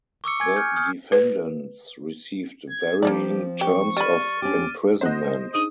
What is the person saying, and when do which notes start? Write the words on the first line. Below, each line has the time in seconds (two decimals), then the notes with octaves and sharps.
The defendants received varying terms of imprisonment.
0.24 C#6 D6 E6 C#7
0.40 G#5 G#6
0.57 F6 G6
0.76 D#6 F6 G6
1.12 B4
2.70 G#6
3.03 F3 A#3 C4 G4 A4 D5
3.61 G4 C#6
3.97 G3 B5 F6 A6 D#7
4.42 C#4 D4 G4 D6
5.01 C4 C5 D#5 F#5 F#6
5.54 D4 D#4 G#4 D#6